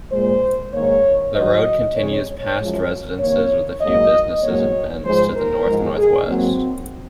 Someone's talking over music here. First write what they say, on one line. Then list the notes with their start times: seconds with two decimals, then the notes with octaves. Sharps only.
The road continues past residences with a few businesses and bends to the north-northwest.
0.12 A#2 G#3 C5
0.73 G#2 D#3 A#3 C#5
1.35 G#2 D#3 F#3 D#5
1.97 F2 C#3 G#3 C#5
2.27 C#5
2.58 F#2 F3 G#3
3.19 C3 D#3 A#3 C#5
3.81 G#2 F#3 A#3 D#5
4.42 G#2 F#3 A#3 C#5
5.04 G#2 F3 G#3 C5
5.35 A#4
5.65 G#2 F3 G#3
5.97 G#4
6.27 G#2 F#3 A#3 C4